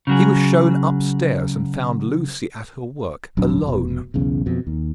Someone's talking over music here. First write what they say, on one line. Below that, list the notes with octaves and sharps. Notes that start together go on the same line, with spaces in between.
He was shown up-stairs, and found Lucie at her work, alone.
C#3 F#3 G#4
D#1 A1 F#3 D4
F1 B2
B1 E2 C#3
F2 B2
D#2 D#3